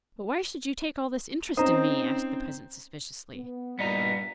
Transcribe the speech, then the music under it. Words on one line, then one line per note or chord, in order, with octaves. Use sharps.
'But why should you take all this interest in me?' asked the peasant suspiciously.
C4 C#4 D#4 C5 A#5 D#6
B3
G2 A#2 G3 B3 D#5 A#5